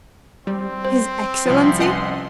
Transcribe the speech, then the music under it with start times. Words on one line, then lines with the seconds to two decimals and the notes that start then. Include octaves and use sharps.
'His excellency!
0.47 G3 C4
0.85 C5
1.46 C2 F3
1.80 C#4 B4 D#5 F#5 A5 C6